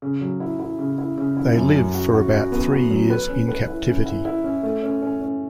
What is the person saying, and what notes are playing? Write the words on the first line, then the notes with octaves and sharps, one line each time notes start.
They live for about three years in captivity.
C#3
F#3
E4
E4
C#3
E4
C#3
E4
F#2
F#2
F#4
F#4
F#4
B3
F#4
F#3
B4
C#4
B4
E4
C#4
E4
E4
C#4
A3
C#4
C#4
C#4